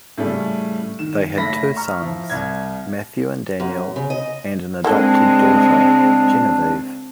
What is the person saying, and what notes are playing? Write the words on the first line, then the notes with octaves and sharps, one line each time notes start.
They had two sons, Matthew and Daniel, and an adopted daughter, Genevieve.
A2 C#3 G3 A3
D#3 E7
F#1 A3 E5 B5 A#6 B6
A#5 C#6 F6
F3 E4
C2 G#6
F#2
C#3
D#5
C#3 G#3 A#3 C4 D4 E4 F4 A4